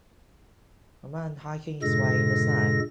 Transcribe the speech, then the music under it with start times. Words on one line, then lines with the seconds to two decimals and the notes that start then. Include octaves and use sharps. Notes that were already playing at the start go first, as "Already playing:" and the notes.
A man hiking his way in the snow.
1.82 G2 A#2 C#3 G#3 A4 A#6